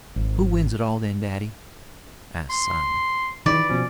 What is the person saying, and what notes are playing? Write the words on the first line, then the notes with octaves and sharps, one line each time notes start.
"Who wins it all, then, daddy?" asked Simon.
G#1
C6
D#3 E3 D5 B5
B2 F3 C#4